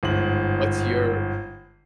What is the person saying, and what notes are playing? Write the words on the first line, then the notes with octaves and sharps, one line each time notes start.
What's your
G1 G#2 F#7